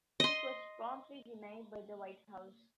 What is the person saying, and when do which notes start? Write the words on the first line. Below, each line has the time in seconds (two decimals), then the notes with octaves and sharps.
This was promptly denied by the White House.
0.20 D#5 C6